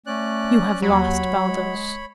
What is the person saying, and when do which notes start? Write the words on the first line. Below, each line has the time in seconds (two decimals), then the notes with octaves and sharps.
You have lost Baldos.
0.06 A3 C#4 D5 F#6
0.82 D#2 F#3 C#5 B5
1.46 G#3